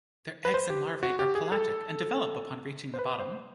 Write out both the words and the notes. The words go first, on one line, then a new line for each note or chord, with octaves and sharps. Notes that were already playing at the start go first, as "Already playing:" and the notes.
Their eggs and larvae are pelagic and develop upon reaching the bottom.
B4
C5
G4
F#4
G4
G#4
A4
C5
B4
C5